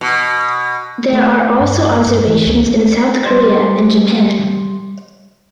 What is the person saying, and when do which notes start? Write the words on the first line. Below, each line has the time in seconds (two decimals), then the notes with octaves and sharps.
There are also observations in South Korea and Japan.
0.01 B2
1.13 A3
1.61 G2
2.07 G2
2.28 E3
2.47 C#2
3.26 G3 C5